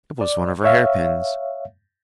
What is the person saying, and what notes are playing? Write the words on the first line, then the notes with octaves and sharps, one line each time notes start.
It was one of her hairpins.
D5
C#5 E5 F5